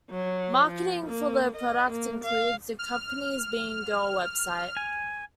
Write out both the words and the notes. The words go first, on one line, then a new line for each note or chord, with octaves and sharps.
Marketing for the product includes the company's BeingGirl website.
F#3
F3
A#3
D#5
A#3
F5
F6
G#5